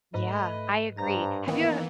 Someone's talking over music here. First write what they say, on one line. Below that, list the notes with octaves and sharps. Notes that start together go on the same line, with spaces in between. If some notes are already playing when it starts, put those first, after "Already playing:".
Yeah, I agree. Have you ev
G#2 A3 B4 D#5
G2 C5 A#5
D#3 E3 A#3 B3